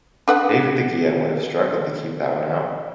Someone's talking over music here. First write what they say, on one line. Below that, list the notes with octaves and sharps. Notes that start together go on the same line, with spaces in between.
David De Gea would have struggled to keep that one out.
D4 B4 F#5